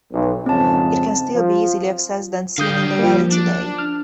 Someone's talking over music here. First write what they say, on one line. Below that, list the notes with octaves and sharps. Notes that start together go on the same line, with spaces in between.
It can still be easily accessed and seen in the valley today.
B1
F2 G#2 C#3 C4 A5
F3
D3 G3 F5 D#6 G6
F3 A#3
D4
F6